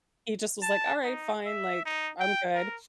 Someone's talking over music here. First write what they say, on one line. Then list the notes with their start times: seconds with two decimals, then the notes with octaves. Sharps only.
he just was like, "Alright, fine. Like, I'm good,"
0.62 A5
1.04 D#4
1.45 E5
1.86 D#4
2.20 G5
2.55 A#4